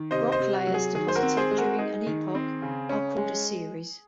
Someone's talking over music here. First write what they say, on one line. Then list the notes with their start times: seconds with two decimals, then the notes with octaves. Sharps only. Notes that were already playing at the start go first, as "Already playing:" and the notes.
Rock layers deposited during an epoch are called a series.
Already playing: D#3
0.11 C3 C5 D#5
0.32 C5 D#5
0.39 C3
0.54 F#4
0.67 F#3
0.74 G#4
0.95 D#3 G#4
1.08 C5
1.16 F#4 A#4
1.23 C4
1.37 G#4 C5
1.51 G#3
1.58 F#4 A#4
1.79 D#4 G#4
2.07 D#3
2.35 C4
2.62 C#3
2.89 C#4
3.18 G#3